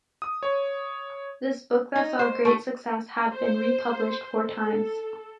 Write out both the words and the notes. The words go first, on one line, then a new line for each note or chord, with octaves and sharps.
This book that saw great success had been republished four times.
D#6
C#5
D#4
C5
A3
C5
A4